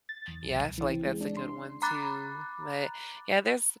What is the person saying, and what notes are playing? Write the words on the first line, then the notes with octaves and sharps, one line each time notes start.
yeah, I feel like that's a good one, too, but, yeah, there's
A6
E2
B1
C2
E3
C4
G#3
D4
C6
A#5 B5 D6 F#6 A6